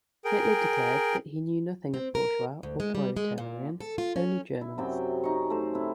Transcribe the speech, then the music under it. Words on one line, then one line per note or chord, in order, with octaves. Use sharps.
Hitler declared that he knew nothing of bourgeois or proletarian, only Germans.
G#4 A#4 G5
C4
A#4
D2
G#3
G3
G#3
A#2
A4
F4
C#4
E4
F#2 C3 G5
D#4 C#6
A3 C5
C3 E4